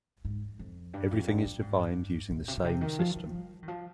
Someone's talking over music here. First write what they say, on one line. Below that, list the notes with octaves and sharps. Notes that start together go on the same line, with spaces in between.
Everything is defined using the same system.
G#2
F2
G2
F2
G2
A#2
G#2
G2
A#2
C3
A#2
C3
D#3
F3
G3
G3
D#3
F3